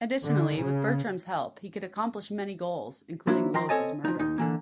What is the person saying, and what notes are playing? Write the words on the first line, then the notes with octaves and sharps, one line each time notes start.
Additionally, with Bertram's help, he could accomplish many goals, including Lois' murder.
D3
C#3
F3 F#3 A#3 D4 E4
F3 G5 A#5 C6
C4 A4 C#5 D#5 G#5 A5
F3 D#4
D#2 D#4
D3 E3 A#3